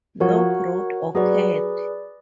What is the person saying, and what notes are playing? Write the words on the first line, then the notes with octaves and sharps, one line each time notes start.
No growth occurred.
F3 F#4 A#4 C#5 F#5
F#3 G#4 B4 D5